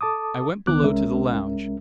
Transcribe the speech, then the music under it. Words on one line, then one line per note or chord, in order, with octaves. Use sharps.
I went below to the lounge.
A4 A5 D6 D#6
C#2 D#3 B3 D6 F#6
C2 G#3 C#4 A#4 E5